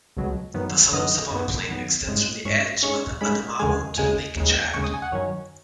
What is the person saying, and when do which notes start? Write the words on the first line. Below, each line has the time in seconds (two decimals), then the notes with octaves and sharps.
The southern savanna plain extends from the edge of the Adamaoua to Lake Chad.
0.17 C#2 B2 F#3 B3
0.54 F#2 D#3 B3
0.92 F#2 D#3 B3 D#5
1.31 F#2 D#3 B3
1.69 F#2 D#3 B3
2.07 G#2 G#3 C#4
2.45 G#2 G#3 C#4 C#6
2.83 G#2 G#3 C#4 C#6
3.21 G#2 G#3 C#4 B5
3.59 D#2 C#3 G#3 G#5
3.98 D#2 C#3 G#3 G#5
4.36 D#2 C#3 G#3
4.74 D#2 C#3 G#3 C#6
4.84 D#6
4.94 G#5
5.02 F#5
5.12 F#2 D#3 F#3 C#4 C#5